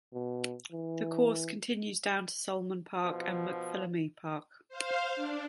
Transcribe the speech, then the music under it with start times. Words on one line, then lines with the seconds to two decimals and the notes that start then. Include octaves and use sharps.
The course continues down to Sulman Park and McPhillamy Park.
0.14 B2
0.72 E3
3.02 B2 F3
4.69 C5 F5
5.16 D4